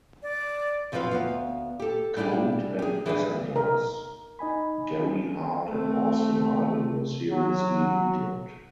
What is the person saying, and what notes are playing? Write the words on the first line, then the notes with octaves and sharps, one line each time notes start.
Colt and passengers Gary Hart and Austin Idol were seriously injured.
D5
F#2 F3 B3 C4 B4 F5
D2 B3 F5
G4 A4
G3 D4 E4 G4 G#4
G4 G#4
E3 D4 G#4 B4
A#4
D#4 D#5 G#5 B5
A3 C4
F#3